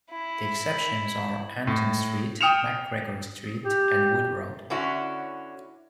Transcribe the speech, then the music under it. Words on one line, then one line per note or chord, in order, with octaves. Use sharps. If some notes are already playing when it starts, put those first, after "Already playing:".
The exceptions are Anton Street, McGregor Street and Wood Road.
E4
A2
G5 D#6 F6 C#7 E7 F7
G4
D3 C#4 E4 F#4